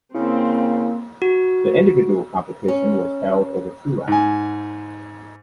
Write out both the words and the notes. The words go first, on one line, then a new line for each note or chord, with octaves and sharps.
The individual competition was held over two rounds.
C#3 A#3 C4 E4
F#4
C#4
G#2 G#5